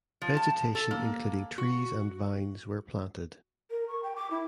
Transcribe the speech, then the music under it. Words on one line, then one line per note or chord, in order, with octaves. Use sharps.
Vegetation including trees and vines were planted.
F3
A5
A4
A#3
F#4
A#4
C#6
G5
D6
E4